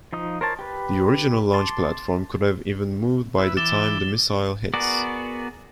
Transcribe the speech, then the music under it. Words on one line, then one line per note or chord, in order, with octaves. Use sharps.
The original launch platform could have even moved by the time the missile hits.
F3 D#4 D#6
A#4 C5 C#5 A5
G4 B4
A5 C6 D6
E4 B4
E3 D6 A6 E7 G7
B3 F#4 G#4 A#4 D5